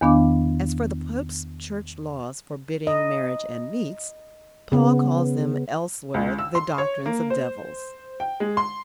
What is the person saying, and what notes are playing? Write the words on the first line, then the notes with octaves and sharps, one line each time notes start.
As for the pope's church laws forbidding marriage and meats, Paul calls them elsewhere the doctrines of devils.
E2 D#3 B3 D4 F5 D6
D#5
C#3 B3
C#2
E6
C6
C#5
A#3
C5
G5
G#3
C6